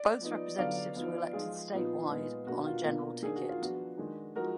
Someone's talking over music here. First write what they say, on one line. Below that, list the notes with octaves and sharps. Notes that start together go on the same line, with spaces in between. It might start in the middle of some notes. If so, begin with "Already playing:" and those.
Both representatives were elected statewide on a general ticket.
Already playing: D5
F3 B3 D#4
D3 F#3 B3 D4 D5 F5
F3 B3 D#4
F3 G#3 D#4 F4 G#4
A#2 F3 B3 D#4
A#2 G#3 B3 D#4
B2 A#3 D4 F#4
F4
B2 A#3 D4
D#3 A#3 D4 G#4
F#4
F4
F3 B3 D4 F#4
D#3 G#3 D4
F3 G#3 D#4 F#4 A#4